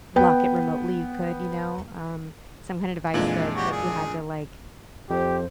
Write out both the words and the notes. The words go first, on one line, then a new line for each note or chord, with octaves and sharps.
lock it remotely, you could, you know, um, some kinda device that if you had to, like,
B3 B4 G5
F2 A#2 E3 G#3 D4
F#4 G4 C#5
G#4
F2 G4 C5